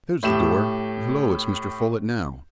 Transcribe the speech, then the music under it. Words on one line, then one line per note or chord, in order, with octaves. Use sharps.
There's the door-- Hullo, it's Mr. Folett now.
A2 A3 G4 E7